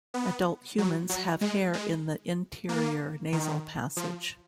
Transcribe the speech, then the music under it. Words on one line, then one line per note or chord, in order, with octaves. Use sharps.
Adult humans have hair in the interior nasal passage.
B3
F#3
F#3
G#3
G#3
A#3
D#3
F3